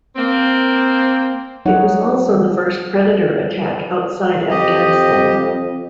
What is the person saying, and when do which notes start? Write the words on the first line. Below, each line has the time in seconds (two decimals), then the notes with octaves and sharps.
It was also the first Predator attack outside Afghanistan.
0.16 A#3 C4
1.65 F#3 D#4 C#5 F#5
4.51 F2 G4 D#5